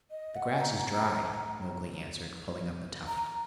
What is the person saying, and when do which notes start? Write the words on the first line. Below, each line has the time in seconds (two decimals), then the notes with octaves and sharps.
"The grass is dry," Mowgli answered, pulling up a tuft.
0.11 D#5
0.36 F#5
0.60 A#5
3.07 A#5